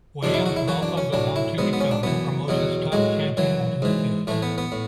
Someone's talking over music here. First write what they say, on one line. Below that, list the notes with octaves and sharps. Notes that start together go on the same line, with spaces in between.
Williams would also go on to become the promotion's top champion on two occasions.
E2 B2 F#3 D4
E4
F#4
E4
F#2 E3 F#4
D4
C#4
A2 F#3 D4
E4
G#2 F#3 B3
B3
C#4
D4
F#2 E3 B3
E2 B2 F#3
A2 F#3 G#3
F#2 E3 F#3
G#2 E3
A2 E3 A3
B3
B3
A2